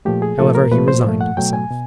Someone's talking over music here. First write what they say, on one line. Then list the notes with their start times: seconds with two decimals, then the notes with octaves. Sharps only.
However, he resigned himself.
0.05 A#2 F3 A3 G4
0.22 G#4
0.39 A#2 F3 A3 A4
0.55 A#4
0.72 A#2 F3 A3 B4
0.88 C5
1.04 A#2 F3 A3
1.21 F#5
1.37 B2 F#3 A3 G5
1.53 G#5
1.70 B2